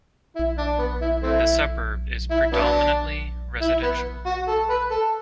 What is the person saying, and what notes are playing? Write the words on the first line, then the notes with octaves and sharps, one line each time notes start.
The suburb is predominantly residential.
E4
D4
B3
E4
A3 C4 E4
E4
F#3 B3 D4
E4
B3
F#4
A4
B4
A4